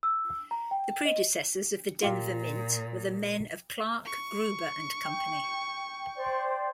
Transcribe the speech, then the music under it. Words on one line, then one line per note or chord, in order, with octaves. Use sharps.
The predecessors of the Denver Mint were the men of Clark, Gruber and Company.
E6
A#5
G5
D#5
A#2 F4 G4 F5
C#6
G5
C5 D5